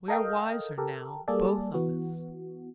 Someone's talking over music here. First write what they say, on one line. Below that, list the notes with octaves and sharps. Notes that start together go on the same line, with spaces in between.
We are wiser now both of us.
A4 A#4 D#5 F5 G5
G4 A4 A#4
G3 A#3 G#4 A4 D5
E3 B3 F#4